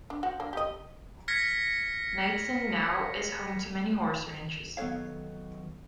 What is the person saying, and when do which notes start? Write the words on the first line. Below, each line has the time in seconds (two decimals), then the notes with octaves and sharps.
Knightsen now is home to many horse ranches.
0.10 D4
0.23 F3 F#4 F#5
0.40 A#3 D4
0.53 G4 D#5
1.28 F6 G#6 A#6 B6 C#7
4.77 D#3 F#3 B3 A4 C#5 F5